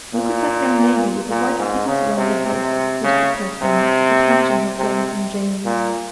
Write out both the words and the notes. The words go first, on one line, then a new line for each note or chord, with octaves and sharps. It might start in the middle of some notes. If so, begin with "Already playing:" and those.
"Look at that young lady with the white beads round her head," whispered Catherine, detaching her friend from James.
A#2
A#2
G#2
C#3
C3
C3
C#3
C3
C3
A#2